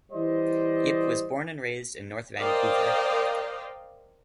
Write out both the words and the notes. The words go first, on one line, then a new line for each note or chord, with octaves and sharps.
Yip was born and raised in North Vancouver.
E3 G3 C5 D5 D#5
A#4 C5 D5 D#5 F5 G5